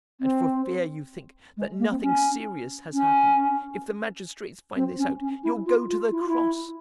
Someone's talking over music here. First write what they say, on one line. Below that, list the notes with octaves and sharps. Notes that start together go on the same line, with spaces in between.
And for fear you think that nothing serious has happened, if the magistrates find this out you'll go to the cross!
C4
G#3
A#3
C4
C#4
C#4
C4
C#4
C#4
E4
F4
F4
E4
F4
E4